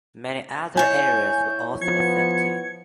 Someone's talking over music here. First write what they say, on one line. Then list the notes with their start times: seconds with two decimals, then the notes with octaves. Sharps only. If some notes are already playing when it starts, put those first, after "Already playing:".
Many other areas were also affected.
0.77 E4 C#5 G#5 G6
1.82 F3 B3 G#6 C#7